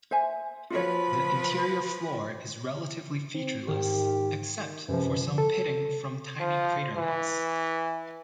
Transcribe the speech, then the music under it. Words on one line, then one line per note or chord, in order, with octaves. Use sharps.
The interior floor is relatively featureless, except for some pitting from tiny craterlets.
C5 E5 G#5
F3 F4 F#4 B4 C#5 B5
C4
G#2 D#3 G4
D#3
F#2 C3 F3 B4
A4
F3
E3